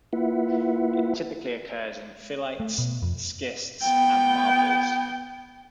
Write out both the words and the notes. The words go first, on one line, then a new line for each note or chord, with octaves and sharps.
It typically occurs in phyllites, schists and marbles.
A#3 E4 F4 B4 E5 F#5
A3
B2
F2
B3 G5